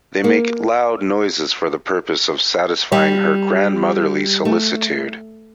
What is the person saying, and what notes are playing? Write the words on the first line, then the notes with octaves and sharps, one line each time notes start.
They make loud noises for the purpose of satisfying her grandmotherly solicitude.
A#3
G3
A3